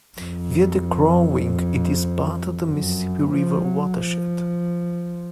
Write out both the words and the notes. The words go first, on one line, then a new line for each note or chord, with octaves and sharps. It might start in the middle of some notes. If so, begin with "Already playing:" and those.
Via the Crow Wing, it is part of the Mississippi River watershed.
F2
F#2
F3
F#3
F3